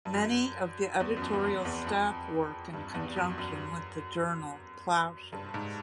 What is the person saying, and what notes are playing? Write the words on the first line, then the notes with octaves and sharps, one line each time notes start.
Many of the editorial staff work in conjunction with the journal "Ploughshares".
G2
F#2
E2
F#2
F2
E2
F2
E2
F2
G2
E2
F#2
F#2
G2
G#2